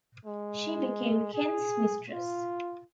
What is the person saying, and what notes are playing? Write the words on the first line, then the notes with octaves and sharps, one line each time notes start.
She became Kent's mistress.
G#3
G#4
F4